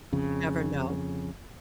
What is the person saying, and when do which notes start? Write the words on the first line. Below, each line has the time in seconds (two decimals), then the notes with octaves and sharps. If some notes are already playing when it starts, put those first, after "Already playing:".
You never know.
0.13 F2 C#3